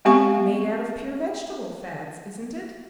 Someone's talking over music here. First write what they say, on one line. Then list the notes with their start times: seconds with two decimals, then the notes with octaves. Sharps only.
"Made out of pure vegetable fats, isn't it?"
0.05 G#3 B3 C4 G4 F5 C#6